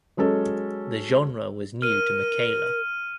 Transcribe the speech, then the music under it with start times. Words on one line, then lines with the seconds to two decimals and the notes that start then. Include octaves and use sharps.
The genre was new to Mikayla.
0.17 F#3 G#3 C#4 A4
1.82 A#4 F6 D#7